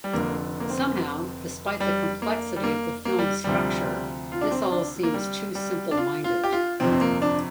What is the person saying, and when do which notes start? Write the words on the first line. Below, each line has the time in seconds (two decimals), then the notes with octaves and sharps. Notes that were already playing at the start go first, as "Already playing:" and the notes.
Somehow, despite the complexity of the film's structure, this all seems too simple-minded.
0.04 G3
0.13 F1 F2 D3 A#3
0.60 A#3
0.70 C4
1.80 G3
2.22 A#3
2.56 G3
2.64 A#3
3.05 A#3
3.19 G3
3.44 D2 C3 F3 G3
4.32 F4
4.41 D4
4.51 C4
4.72 D4
5.03 A#3
5.14 G3
5.55 G3
5.91 D4
5.97 F4
6.24 F4
6.44 G4
6.53 F4
6.80 G1 F2 C3 F3 C4
6.92 C4
7.01 A#3
7.22 D4